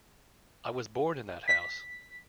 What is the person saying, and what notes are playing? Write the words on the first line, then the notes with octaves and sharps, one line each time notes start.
I was born in that house.
B6